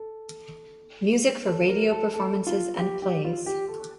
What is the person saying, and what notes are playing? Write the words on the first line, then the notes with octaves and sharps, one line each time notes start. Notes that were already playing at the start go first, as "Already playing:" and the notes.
Music for radio performances and plays.
Already playing: A4
A4
A#4
A4
A4
F4
G4
G4
F4
G4
A4